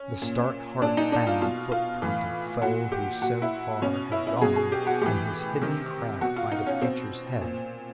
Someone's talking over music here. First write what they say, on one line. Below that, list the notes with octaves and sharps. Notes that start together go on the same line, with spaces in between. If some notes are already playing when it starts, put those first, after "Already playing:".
The stark-heart found footprint of foe who so far had gone in his hidden craft by the creature's head.
Already playing: C#4
A#2
A#2 D4
D#4
D4
F4
B2 F4
F4
A2 E3
A#2 F#4
G4
A#2 F#4
E4
B2 C#4
E4
E4
B2 G#4
G#4
G4
F#4
A2 E3 G4
C3 D#3
B2 F#4
F4
D#4
C#4
B2 C4
A#2